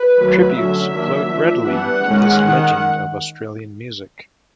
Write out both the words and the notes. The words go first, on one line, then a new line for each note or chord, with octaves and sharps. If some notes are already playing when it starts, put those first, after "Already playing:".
Tributes flowed readily for this legend of Australian music.
Already playing: B4
D#3 F#3 A3
D3 F#3 A3 C#4 E5
D#3 F#3 A#3 D4
F3 A3 D4
E3 G3 B3 D4 F#5
D#3 G#3 C#4
D#3